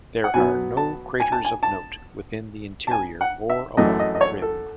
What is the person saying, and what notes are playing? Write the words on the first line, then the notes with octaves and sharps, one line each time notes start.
There are no craters of note within the interior or along the rim.
F#5
B2 F#3 B3 G#5
A5
G#5
A5
G#5
A5
A5
G#5
F#5
E5
F#2 E3 A3 D#5
D#5
D#5
C#5
A4